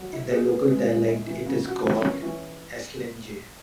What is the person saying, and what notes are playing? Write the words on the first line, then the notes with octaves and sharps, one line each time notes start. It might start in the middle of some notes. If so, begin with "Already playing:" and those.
In the local dialect it is called "Esslinge".
Already playing: F#3
E4
G#4
B3
G#3
G#3
E4
E3
C#3
F#4
E3
C#4
E3